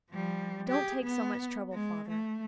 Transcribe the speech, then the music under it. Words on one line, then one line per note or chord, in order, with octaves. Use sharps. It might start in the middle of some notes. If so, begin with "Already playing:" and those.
Don't take so much trouble, father.
F3 G3
G4 G#4
B3
G#3
A3